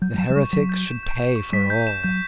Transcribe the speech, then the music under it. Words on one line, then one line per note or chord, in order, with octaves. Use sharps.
The heretics should pay for all.
F#3 G6
G3
F#3 E7
F#3
G3 C#6
F#3 B6
G6
E7
G6
E7
C#6
G3 B6
G6
E7
F#3 G6